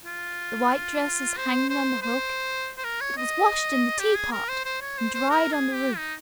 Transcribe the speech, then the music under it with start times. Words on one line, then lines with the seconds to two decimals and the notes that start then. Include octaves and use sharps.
The white dress is hanging on the hook; it was washed in the teapot, and dried on the roof.
0.05 F4
1.37 C5
1.70 C5
2.02 C5
2.78 C5
2.84 A#4
3.01 C#5
3.17 D#5
3.99 G4
4.16 G#4
4.32 A#4
4.49 C5
4.65 C5
4.81 C#5
4.98 C5
5.14 C5
5.30 A#4
5.53 G#4
5.74 G4
5.97 D#4